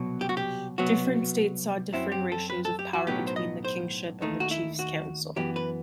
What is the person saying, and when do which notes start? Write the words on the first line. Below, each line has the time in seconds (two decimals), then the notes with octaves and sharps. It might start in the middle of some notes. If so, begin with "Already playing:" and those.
Different states saw differing ratios of power between the kingship and the chiefs' council.
Already playing: C2 B2 F#3
0.21 G4
0.29 F#4
0.37 G4
0.78 C2 B2 F#3 B3 F#4
1.93 F#2 F#3 C4 E4
2.12 G4
2.32 A4
2.50 B4
2.65 A4
2.79 G4
2.93 F#4
3.07 B1 A2 F#3 B3 D#4 G4
3.27 C5
3.36 D#5
3.65 C5
4.21 D#2 D#3 A3 D#4
4.40 F#4
4.51 E4
4.79 F#4
5.36 F#2 E3 B3 G4
5.56 B4